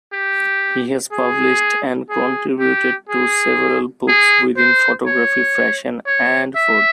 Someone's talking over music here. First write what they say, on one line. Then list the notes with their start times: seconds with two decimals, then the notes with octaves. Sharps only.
He has published and contributed to several books within photography, fashion, and food.
0.13 G4
1.11 G#4
2.09 G#4
2.59 G4
3.09 G#4
4.08 G#4
4.57 C5
5.07 C#5
6.06 C#5
6.56 E5